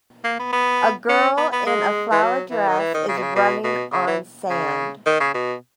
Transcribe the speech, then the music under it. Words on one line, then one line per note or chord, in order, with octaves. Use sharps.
A girl in a flower dress is running on sand.
A#3
B3
B3
C#4
B3
B3
G#3
E3
F#3
E3
D#3
E3
D#3
C#3
B2
C#3
B2
B2
C#3
E3
C#3
D#3
C#3
B2